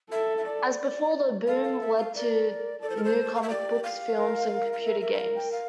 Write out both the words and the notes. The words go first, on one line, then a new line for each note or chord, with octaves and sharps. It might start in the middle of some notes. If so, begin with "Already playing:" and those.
As before, the boom led to new comic books, films and computer games.
A4 E5
E5
D5
A4 F5
F5
E5
F5
A#4 D5
A4 D5
C5
A#4
C5
F5
E5
G4 D5
F5
A#4
A#4
F5
E5
E5
E5
F5
G5
F5